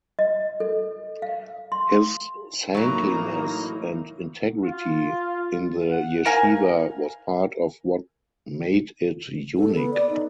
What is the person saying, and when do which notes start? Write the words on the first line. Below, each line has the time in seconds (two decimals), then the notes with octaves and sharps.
His saintliness and integrity in the yeshiva was part of what made it unique.
0.19 D#5
0.60 A4
1.22 F5
1.72 C6
2.75 A2 E3 F#3 A#3 D#4 A#5
4.64 F4
5.91 F#5
6.26 A#4 F5 G#5
9.57 A4
9.74 B3
9.93 D5
10.09 D#4